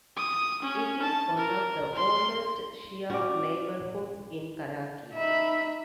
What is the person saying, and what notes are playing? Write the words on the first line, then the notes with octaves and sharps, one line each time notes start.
It is one of the oldest Shia neighbourhoods in Karachi.
D#6
C#4
A5
A#4
C6
C#4 F#4 D5
D#4 E5 B5